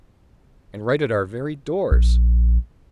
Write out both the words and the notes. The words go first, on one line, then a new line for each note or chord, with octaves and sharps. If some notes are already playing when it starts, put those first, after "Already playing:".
And right at our very doors!
A#1